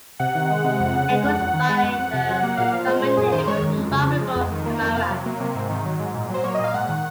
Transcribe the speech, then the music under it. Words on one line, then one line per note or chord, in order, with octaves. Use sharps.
It goes by the common name of tropical amaranth.
C3 F#5
D#3
G#3
C3
F2
C#3
G#3
F2
F#2
D#3
G#3
F#2
F2
C3
F#3
A#3
A#2 F5
F3
G#3 C5
A#2
F#2 G#4
D#3 C5
G#3 C#5
F#2
F2
C#3
F3
G#3
F2
D#3
A#3
F2
C3 F5
F#3
A#3
C3
G#2
D#3
F#3
G#2
A#2
F#3 C5
A#3 C#5
A#2 D#5
F5
G#2 F#5
D#3